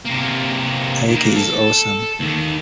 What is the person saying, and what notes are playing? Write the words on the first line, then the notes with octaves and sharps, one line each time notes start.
Ikey is awesome.
C3 A#3
D#3 A#3
A4
D#2 D#3